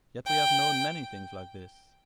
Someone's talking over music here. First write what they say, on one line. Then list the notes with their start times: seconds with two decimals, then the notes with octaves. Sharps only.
Yet we have known many things like this.
0.27 G5